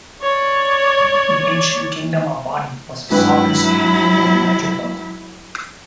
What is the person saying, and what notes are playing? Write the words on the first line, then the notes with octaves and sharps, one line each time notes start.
The Ancient Kingdom of Bonny was a sovereign state of the Niger-Delta.
C#5 D5
G#1 G2 F#3 E4 B4